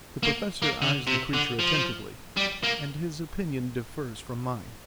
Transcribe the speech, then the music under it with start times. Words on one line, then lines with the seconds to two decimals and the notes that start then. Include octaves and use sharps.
The Professor eyes the creature attentively, and his opinion differs from mine.
0.23 A#3
0.62 A#3
0.82 D3
1.07 C3
1.33 D3
1.59 F3
2.37 G3
2.64 A#3